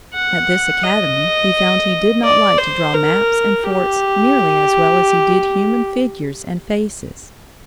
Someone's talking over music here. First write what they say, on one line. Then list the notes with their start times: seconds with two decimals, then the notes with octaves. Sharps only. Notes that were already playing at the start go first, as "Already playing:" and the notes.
At this academy he found he did not like to draw maps and forts nearly as well as he did human figures and faces.
0.14 F#5
0.84 D#5
2.24 D5
2.58 C5
2.94 A#4
3.63 G4